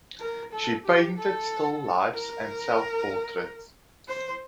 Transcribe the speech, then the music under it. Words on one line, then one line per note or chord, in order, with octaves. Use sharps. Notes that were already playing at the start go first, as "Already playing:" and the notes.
She painted still lifes and self portraits.
A#4
A4
G4
A4
A#4
C5